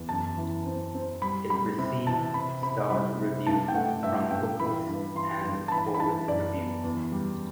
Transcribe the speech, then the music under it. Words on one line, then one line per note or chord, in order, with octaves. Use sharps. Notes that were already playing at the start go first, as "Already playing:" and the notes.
It received starred reviews from "Booklist" and "Foreword Reviews".
Already playing: E2
F#2 A5
E3
C4
C4
G3 B5
G3 B5
C3 B5
E3 A5
C3 B5
C3 B5
G3 B5
C3
G2 A5
G5
A3 F#5
G2 E5
G2 G5
E3 B5
G2
E3 C6
G2
A5
E3 B5
B5
E3 A5
F#2 D5
B3
E2
G3